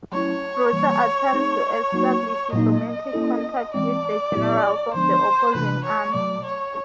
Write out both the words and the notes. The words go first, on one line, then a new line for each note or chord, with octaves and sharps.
Brutha attempts to establish diplomatic contact with the generals of the opposing army.
F#3 A3 C#4 E4 C#5
E3 G3 A#3
A3 C4 D#4 G#4
F#3 A#3 D#4 F#4
A#2 F#3 A#3 D#4 D#5
A#3 C#4 E4 A4
E3 G#3 C4 D5
A#2 F#3 B3 E4 G4
D3 F3 G#3 B3 D4 C5
C3 E3 A3 D4 F4 B4
C#5
B2 F#3 A3 D5
C#5